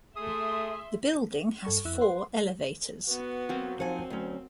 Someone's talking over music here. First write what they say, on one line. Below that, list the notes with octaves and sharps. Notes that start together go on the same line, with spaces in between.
The building has four elevators.
A3 G#4 E5 C6 D#6
G2 A4 C#6
F2 E4 E6 F#6
B4 C5 F#5 C6
B3 F#4 B4
F#3 A#3 C4
F3 C4 D#4 F#5 G#5
D2 F#3 C#4